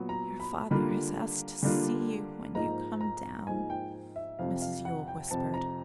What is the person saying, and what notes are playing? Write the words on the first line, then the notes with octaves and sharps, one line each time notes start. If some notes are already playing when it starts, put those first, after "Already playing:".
'Your father has asked to see you when you come down,' Mrs Yule whispered.
Already playing: A#2 F#3 B3
A#5
B5
D3 G3 A#3 D4 F4 B5
D3 G3 A#3 D4 F4
G#2 F3 A#3 D#4 A#5
A#5
G#2 F3 A#3 D#4 G#5
G5
E5
F2 C3 F3 F5
F5
F#5
G5
F2 C3 F3 A5
A#5